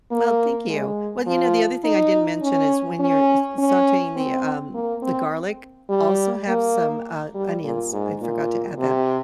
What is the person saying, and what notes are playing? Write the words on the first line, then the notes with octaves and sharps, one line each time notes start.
Well, thank you. Well, you know, the other thing I didn't mention is when you're s sauteing the, um, the garlic, also have some, uh, onions. I forgot to add that.
A#3
G#3
F3
D#4
C#4
C#4
C#4
C4
A#3
C4
G3
A#3
G3
A#2
G#2
A#2
C3